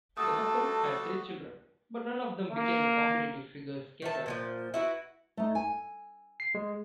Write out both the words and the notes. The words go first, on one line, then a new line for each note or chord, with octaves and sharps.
The couple had three children, but none of them became a competitive figure skater.
G3 A3 F#4 A4 A5 D#6
A#3
D#3 E5 A5
A#2 E3 F3
E4 F#4 B4
A3 D#4
G#5
C7
G#3